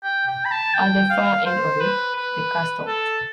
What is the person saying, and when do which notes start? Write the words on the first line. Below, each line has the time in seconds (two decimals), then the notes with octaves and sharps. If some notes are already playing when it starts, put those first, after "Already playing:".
At the far end of it, the car stopped.
0.04 G5
0.27 G5
0.45 B5
0.51 A5
0.74 G5
1.10 F5
1.46 C5
1.81 B4
2.16 B4
2.87 A4